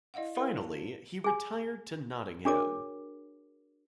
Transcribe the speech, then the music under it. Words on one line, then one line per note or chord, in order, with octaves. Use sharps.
Finally he retired to Nottingham.
E4 D5 D#5 F5 F#5
E4 G4 A#4 B4 C#5 F5
A5
G#4 G#5
D4 F#4 G#4 A#4 C#5 D6